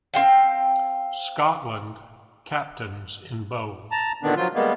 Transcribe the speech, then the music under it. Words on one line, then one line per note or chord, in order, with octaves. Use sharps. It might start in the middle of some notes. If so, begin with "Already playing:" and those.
Scotland captains in bold.
C4 F5 G5
A5 A#5
A#2 D3 D#3 B3 D4
F3 F#3 F4
G3 G#3 A#3 B3